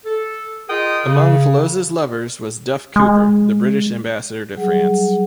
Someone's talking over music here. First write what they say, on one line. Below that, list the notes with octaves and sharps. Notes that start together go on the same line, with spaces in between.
Among Fellowes's lovers was Duff Cooper, the British ambassador to France.
A4
F4 G#4 A#4 D#5 G5 D#6
C#3
G#3
F#3 G3 G#4 F#5